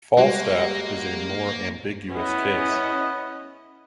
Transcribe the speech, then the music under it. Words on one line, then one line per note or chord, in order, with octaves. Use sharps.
Falstaff is a more ambiguous case.
G3 G#3 A#3 F#4
B3 C#4 E4 D#5